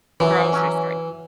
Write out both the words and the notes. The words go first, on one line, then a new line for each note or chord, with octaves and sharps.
grocery store
F#2 E3
F#3 C#4